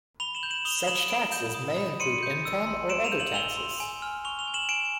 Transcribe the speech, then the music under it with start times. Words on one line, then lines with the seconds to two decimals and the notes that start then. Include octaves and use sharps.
Such taxes may include income or other taxes.
0.20 B5 F7 G7
0.35 E7 F#7
0.43 G6
0.50 E7 F#7
0.65 D#6 F7 G7
0.87 B5 E7 F#7
1.10 B5 D7 E7
1.32 G6
1.54 D#6
1.78 B5
2.00 C6 C#7 D#7
2.23 G6
2.45 E6
2.67 C6
2.89 C6 D7 E7
3.04 D#7 F7
3.12 G6
3.19 E7 F#7
3.34 E6 F7 G7
3.57 C6
3.80 G#5
4.02 F6
4.25 C#6 F7 G7
4.39 F7 G7
4.48 G#5
4.54 E7 F#7
4.69 G#5 D7 E7